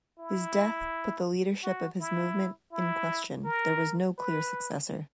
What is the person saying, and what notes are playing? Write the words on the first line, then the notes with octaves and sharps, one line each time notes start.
His death put the leadership of his movement in question-there was no clear successor.
E4
F#4
E4
E4
A#4
B4